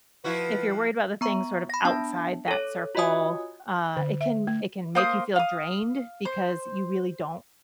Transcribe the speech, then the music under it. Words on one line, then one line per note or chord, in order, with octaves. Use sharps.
if you're worried about the things sort of outside that circle, uh, it can it can make you feel drained because you really don't
F3 E4 F#4 B4
B3 A#5 C#6
B5 A#6
B3 D4 A5
A4 C#5
F4 F#4 C#5 D#5 G#5 D#6
D3
E5
A3
A#3 C5 D#6
F5 D#6
C5